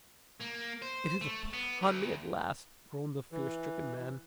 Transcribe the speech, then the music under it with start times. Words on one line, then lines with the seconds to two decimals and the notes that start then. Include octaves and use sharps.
"It is upon me at last!" groaned the fear-stricken man.
0.41 A#3
0.82 C5
1.21 A3
1.53 B3
1.82 D2
3.32 E3